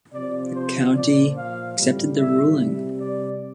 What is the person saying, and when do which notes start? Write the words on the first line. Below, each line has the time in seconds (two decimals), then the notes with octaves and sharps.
The county accepted the ruling.
0.14 C3 F3 D5
0.54 C5
0.95 A#2 F3 D5
1.36 F5
1.77 A2 G3
2.18 E5
2.58 C3 G3
3.00 D5